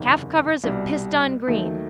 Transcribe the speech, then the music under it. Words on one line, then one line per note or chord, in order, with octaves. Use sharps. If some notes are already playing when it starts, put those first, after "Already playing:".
Calf covers of pissedon green.
Already playing: F#1 E2 C3 D#3
C2 B2 G3
D#2 D#3 F#3 A3